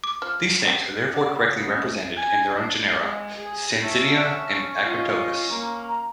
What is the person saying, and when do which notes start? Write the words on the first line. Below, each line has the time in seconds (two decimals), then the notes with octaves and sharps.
These snakes are therefore correctly represented in their own genera: "Sanzinia" and "Acrantophis".
0.04 D6
0.22 F3 F6
0.65 C4 F#4 G4
1.13 D4 F#5
1.29 C#3
1.64 D#2 C#3 G#3 C#4
1.79 A3
2.16 G#5
2.56 D4
2.98 G#3
3.37 G#4
3.83 C#4 E5 A5
4.85 F4 D#5
5.50 A#3 A#5